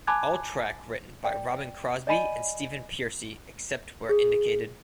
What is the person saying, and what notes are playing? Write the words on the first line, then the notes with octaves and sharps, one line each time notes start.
All track written by Robbin Crosby and Stephen Pearcy, except where indicated.
G#5 A5 B5 D6 F#6 G#6
D5 G5
D5 D#5 G#5 B5 D#7
G#4